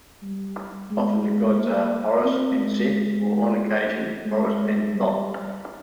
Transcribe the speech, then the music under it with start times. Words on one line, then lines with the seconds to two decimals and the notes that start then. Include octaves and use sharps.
Often the gods are Horus and Set, or on occasion Horus and Thoth.
0.22 G3
0.90 G#3
1.24 G#3
1.57 A#3
2.24 C4
2.58 G#3
4.26 G#3
4.92 G3